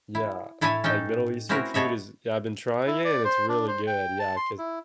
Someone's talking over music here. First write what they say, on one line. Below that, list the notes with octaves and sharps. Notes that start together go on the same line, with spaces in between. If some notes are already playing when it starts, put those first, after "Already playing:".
yeah, like, Middle Eastern food is yeah, I've been trying it and it's really good yeah, 'cause
E4
A2 E4 A4 C#5 E5 G#5
C#4 D#4 A4 G5
C4 C#4 E4 F#4 A#4 B4
B3 A4 C#5 D#5 E5
E4
D5
C5
D4
C5
G5
A5
C6
E4